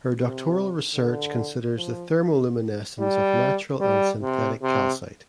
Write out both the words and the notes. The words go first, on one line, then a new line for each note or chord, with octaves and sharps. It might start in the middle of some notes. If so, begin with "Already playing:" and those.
Her doctoral research considers the thermoluminescence of natural and synthetic calcite.
C3
D3
F3
G3
G3
C3
C3